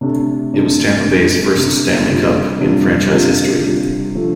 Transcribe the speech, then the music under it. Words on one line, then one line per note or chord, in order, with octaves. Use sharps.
It was Tampa Bay's first Stanley Cup in franchise history.
C3 A3 D4
C3 A3 D4
C3 A3 D4
C3 A3 D4
C3 G3 D4 F4
C3 G3 D4 F4
C3 G3 D4 F4
C3 G3 D4 F4
D3 F3 A3 F4